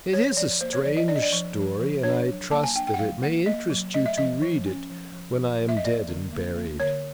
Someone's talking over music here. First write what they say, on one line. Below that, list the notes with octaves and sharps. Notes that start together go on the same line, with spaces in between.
It is a strange story, and I trust that it may interest you to read it when I am dead and buried.
F3 C#5
F3 D5
A#3 C5
C#5
F3 D5
D#5
D4 D5
D#5
D5
F3
F3
F3
D4 C#5
F#3
A#3 A5
G#5
D4 G5
G5
F#5
F#3 F5
A#3 F#5
A#3 D#5
F#3
A3 D#5
E5
F3 D#5
F3
C#4
F3
F3
F3
F3
E5
D#5
A#3 D5
D3
A#3
A#3
D3 C#5